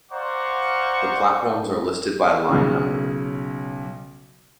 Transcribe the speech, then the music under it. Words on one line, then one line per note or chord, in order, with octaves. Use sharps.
The platforms are listed by line number.
C5 D5 F5 F#5 A#5 C#6
B1 C#3